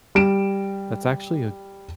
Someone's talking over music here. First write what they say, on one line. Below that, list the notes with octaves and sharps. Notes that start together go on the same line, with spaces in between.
that's actually a
G3 D7 E7